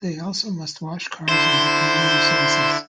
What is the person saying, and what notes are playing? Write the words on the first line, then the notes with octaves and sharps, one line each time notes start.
They also must wash cars and do community services.
D3 E4 C5